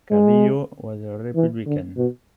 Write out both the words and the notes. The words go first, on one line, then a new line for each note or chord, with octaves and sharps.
Carrillo was a Republican.
G#3
E3
D3
B2